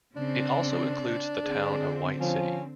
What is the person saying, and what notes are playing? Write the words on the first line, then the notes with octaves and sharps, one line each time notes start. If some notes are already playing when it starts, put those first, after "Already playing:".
It also includes the town of White City.
C#3 C4 D4
D3 C4 G#4
F3 C#4